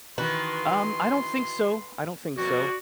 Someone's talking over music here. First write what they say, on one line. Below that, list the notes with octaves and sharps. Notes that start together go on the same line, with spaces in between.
um I don't think so, I don't think so.
D#3 E3 F#4 B4 C6
F2 B2 A#3 F#4 D5